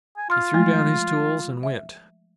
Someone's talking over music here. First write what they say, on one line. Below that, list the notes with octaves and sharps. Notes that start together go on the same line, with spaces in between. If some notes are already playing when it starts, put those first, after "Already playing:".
He threw down his tools and went.
G#5
F4 C6 F6
F3 G#3 A3
E5